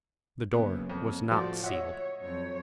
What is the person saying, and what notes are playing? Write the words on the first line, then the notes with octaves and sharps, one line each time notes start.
The door was not sealed.
F#2 C#3 A#3 B3
F2
A2 F3 A3 F4 F#4 D5
C#5 D#5 E5 F#5
F2 F#3 C#5